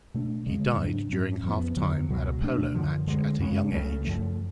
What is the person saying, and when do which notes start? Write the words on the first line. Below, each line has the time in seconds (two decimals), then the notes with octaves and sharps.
He died during half time at a polo match at a young age.
0.14 B2 A3 D4
0.46 D2 C#3 G#3
0.80 G#2 F#3 B3 D4
1.12 G#2 F#3 C#4
1.44 F2 F3 B3
1.77 F2 D3 F#3 B3
2.09 C#2 B2 F#3
2.42 B2 A3 D4
2.74 F#2 D3 F3
3.07 D2 D3 G#3
3.40 F#2 C#3 G#3 C#4
3.72 C#2 C#3 F#3 A3
4.05 F#2 F3 A3